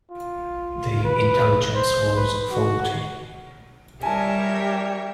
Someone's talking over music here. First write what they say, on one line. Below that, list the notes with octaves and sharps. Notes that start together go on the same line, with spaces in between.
The intelligence was faulty.
F4
B4
C5
B4
F#4
G3 G4 A#4 C#5 E5 G#5 A5